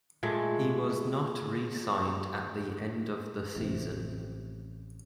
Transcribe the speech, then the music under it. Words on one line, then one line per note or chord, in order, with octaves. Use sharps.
He was not re-signed at the end of the season.
A#2 G#3 A3
A1 A2 C3